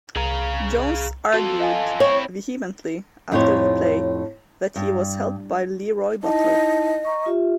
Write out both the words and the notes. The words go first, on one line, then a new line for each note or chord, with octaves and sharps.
Jones argued vehemently after the play that he was held by LeRoy Butler.
C2 G#4 F5 A#5
F4 F#4 A4
D#5 F5 G#5
C4 E4 C#5
F2 A2 D#4 G4 C5 C#5
G2
D#4 E4 D#5 A5
A#5 C#6
F4 G4 E5